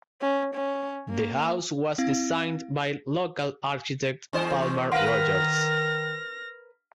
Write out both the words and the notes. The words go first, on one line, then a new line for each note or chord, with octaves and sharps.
The house was designed by local architect Palmer Rogers.
C#4
C#4
A#3
C4 E4 F5
E2 D4 C5 D#5 G#5
D#3 A#4 B4 F5 F#5 C6 F6 A#6